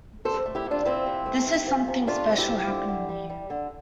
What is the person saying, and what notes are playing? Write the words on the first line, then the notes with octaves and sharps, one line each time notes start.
This is something special happening here.
C3 A4 C5
A3
E4 G4
C3
D4 F4
F3 C4 E4
C3
A3
C3
F3
C3
A3 D4 F4
C3
E4 G4
F3
D3
D3
G3
G3
D3